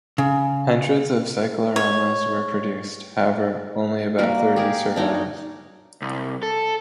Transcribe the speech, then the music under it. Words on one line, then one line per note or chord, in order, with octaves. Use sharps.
Hundreds of cycloramas were produced; however, only about thirty survive.
C#3
C#5
G3 A#3 F#4 A#4
G4 G#4 A#4
D4 D#4 F#4 C#5
C2
A4